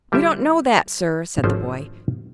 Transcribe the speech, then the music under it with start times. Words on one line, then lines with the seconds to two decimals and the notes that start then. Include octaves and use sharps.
"We don't know that, sir," said the boy.
0.12 D3 G3 E4 F4 G4 E5
1.44 G#1 F3 A3 C#4 C5